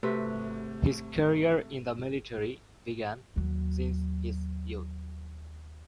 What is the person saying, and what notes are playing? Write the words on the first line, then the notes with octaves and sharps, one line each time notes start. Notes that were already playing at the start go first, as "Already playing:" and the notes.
His career in the military began since his youth.
C3 A3 F#4 B4
D#2 F#3